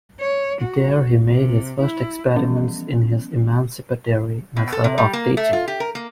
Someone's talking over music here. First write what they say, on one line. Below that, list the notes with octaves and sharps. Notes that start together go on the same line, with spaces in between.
There he made his first experiments in his "emancipatory" method of teaching.
C#5
F#4
C3
E4
E3 F3 G3 B3 C#4
B2
A4
C3
G3
A#3
A3
F4
G4
A#4
A#3